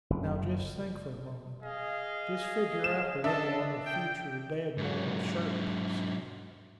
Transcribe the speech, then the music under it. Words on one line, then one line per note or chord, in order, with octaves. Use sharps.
Now just think for a moment--just figure up a little on the future dead moral certainties.
F#1
G#4 D#5 F5
E7
D4 A4 D#5 E5 A5
G5
G#2 F#3